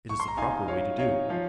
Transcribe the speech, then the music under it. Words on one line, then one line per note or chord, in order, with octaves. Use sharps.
It is the proper way to do.
C#6
C6
A#5
D#4 F5 G#5
D#4 C#5 F5
D#4 C#5 F5
F3 C#5 F5